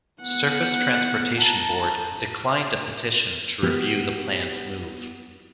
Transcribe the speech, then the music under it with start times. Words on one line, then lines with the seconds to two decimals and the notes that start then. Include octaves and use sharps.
Surface Transportation Board declined a petition to review the planned move.
0.22 B3 F#5
1.41 A5 A#5
3.63 B3 F#4 G4